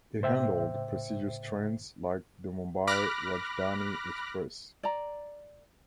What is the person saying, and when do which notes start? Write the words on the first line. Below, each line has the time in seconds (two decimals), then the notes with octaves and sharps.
It handled prestigious trains like the Mumbai Rajdhani Express.
0.21 A2 C#3 C5 E5 G5
2.87 B5 D6 F6 F#6 A#6
4.83 D5 A#5